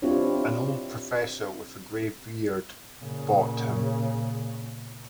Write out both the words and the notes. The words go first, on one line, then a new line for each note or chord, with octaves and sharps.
An old professor with a gray beard bought him.
C4 D4 E4 F4 G4 C#5
A#2 C#3